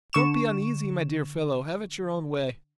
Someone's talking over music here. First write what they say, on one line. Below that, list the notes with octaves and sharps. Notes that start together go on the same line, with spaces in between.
Don't be uneasy, my dear fellow, have it your own way.
D3 C#6 E7